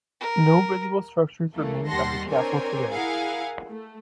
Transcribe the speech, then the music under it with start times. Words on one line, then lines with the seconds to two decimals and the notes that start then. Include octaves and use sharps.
No visible structures remain of the castle today.
0.20 A#4
1.55 C#2 E3 A3 A#3
1.87 D#2 G3 F#5 A5 C6 A#6
2.29 C4 D4 A#4 C5 C#5 G#5
2.90 E4 G#4 A#4 F5 F#5 G#5
3.68 A3